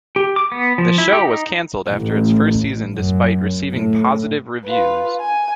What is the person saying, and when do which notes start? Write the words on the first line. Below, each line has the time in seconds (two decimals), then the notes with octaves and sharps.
The show was cancelled after its first season despite receiving positive reviews.
0.16 G4
0.36 D6
0.52 B3
0.78 F3
0.98 E4
1.13 G4
1.25 D#4
1.91 A1
2.93 F#2
3.74 A2
4.66 F4 B4
5.21 G#5